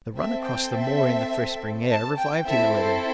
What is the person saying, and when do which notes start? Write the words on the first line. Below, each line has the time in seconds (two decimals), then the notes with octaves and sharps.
The run across the moor in the fresh spring air revived him a little.
0.16 C4 A4 E5
0.45 G5
0.74 E5
1.89 A5
2.17 G5
2.46 C4 E4 A4 E5
2.76 C5